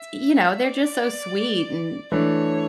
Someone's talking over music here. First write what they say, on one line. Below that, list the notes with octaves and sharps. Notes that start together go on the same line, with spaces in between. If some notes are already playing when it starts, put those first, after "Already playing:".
t you know, they're just so sweet, and,
Already playing: E5
D5
E3 A3 D4 C#5